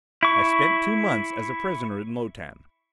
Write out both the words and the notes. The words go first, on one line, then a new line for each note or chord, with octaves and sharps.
I spent two months as a prisoner in Lo-Tan.
E4 C#6